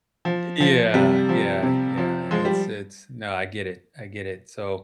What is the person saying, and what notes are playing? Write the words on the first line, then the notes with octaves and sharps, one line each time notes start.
Ye yeah, yeah, yeah, it's it's no, I get it, I get it, so
F3
F3
C3 G3
F3
C3
F3
F3 G#3
G3